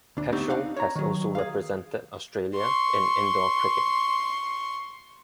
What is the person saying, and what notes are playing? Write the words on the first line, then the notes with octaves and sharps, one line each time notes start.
Peschel has also represented Australia in indoor cricket.
D2 D4
A3 B3 C4 D4 D#4 G4
D4 D#4 F5 F#5
C#5 A#5
D#3 F#3
G#4 F5
C6 C#6